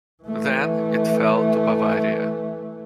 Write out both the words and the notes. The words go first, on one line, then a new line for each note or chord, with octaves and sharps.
Then it fell to Bavaria.
E3 A3